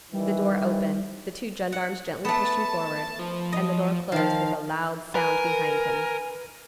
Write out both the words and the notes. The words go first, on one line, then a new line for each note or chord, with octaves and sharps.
The door opened, the two gendarmes gently pushed him forward, and the door closed with a loud sound behind him.
D#3 E3 G3
F#5
A3 B3 A5
F3
D#5
D#3 F3 F5
A#4 B4 G#5